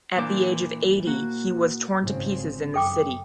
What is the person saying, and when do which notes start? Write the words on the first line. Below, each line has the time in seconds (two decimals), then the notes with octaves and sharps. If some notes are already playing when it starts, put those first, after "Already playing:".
At the age of eighty, he was torn to pieces in the City.
0.16 A#2 E3 D4 C5 D6
1.06 A#3 F#4
2.02 G#1 C#3 C4
2.74 F#2 A4 G5 D6